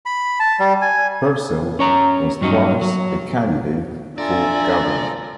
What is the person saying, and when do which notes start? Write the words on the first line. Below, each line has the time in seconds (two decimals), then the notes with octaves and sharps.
Purcell was twice a candidate for governor.
0.06 B5
0.40 A5
0.60 G3
0.82 G#5
1.79 C#4 C#5 A#5
2.41 G2 F#3 C#4 D#4
2.81 F#3
4.18 D4 F4 A4 D5 E5 G#5 A#5